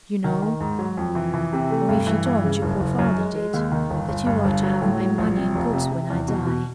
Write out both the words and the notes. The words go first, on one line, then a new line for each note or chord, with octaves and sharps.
You know, or if you don't, your poor father did, that you are to have my money and goods when I die.
D#3
D#3
G#2
F#3
F2
E3
E3
C3
A3
G2
E3
G2
C#3
F#1
F#1
F#2
G#3
G#3
D#2
D#3
G1
G1
G2
G1
F#3
A2
F#3
A#1
C3
F1
C3
C3
E2
B2
B2